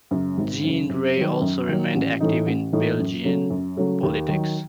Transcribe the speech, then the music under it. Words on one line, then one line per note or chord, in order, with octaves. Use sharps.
Jean Rey also remained active in Belgian politics.
F#2 C#3
G#1
F#2 C#3
F#2
F#3
D#3
F#2
D#3 F#3
A1
A2 E3 A3 D#4
A1
A2 E3 A3 D#4
F#2
C#3 F#3 A3
F#2
C#3 F#3 A3
D#2
D#3 F#3